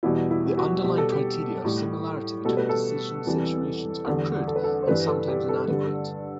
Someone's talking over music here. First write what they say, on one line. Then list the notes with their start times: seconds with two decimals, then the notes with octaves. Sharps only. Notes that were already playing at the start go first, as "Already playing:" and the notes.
"The underlying criteria of similarity between decision situations are crude and sometimes inadequate".
0.03 E2 B2 G3 E4
0.31 E4
0.46 G4
0.58 F#4
0.83 B2 G3 G4
0.98 A4
1.12 G4
1.65 A2 G3
2.45 B2 G3 A4
2.57 B4
2.69 A4
3.27 E2 C3 E3 G3
4.06 E2 D3 G3 A4
4.48 A4
4.56 B4
4.64 A4
4.82 C5
4.88 G2 E3 G3 B4
5.07 A4
5.28 G4
5.49 A4
5.68 G2 D3 G3